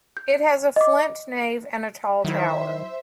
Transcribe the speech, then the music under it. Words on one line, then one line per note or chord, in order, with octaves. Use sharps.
It has a flint nave and a tall tower.
G6
D#5 D6
D#3 F#3 E4 C5 E5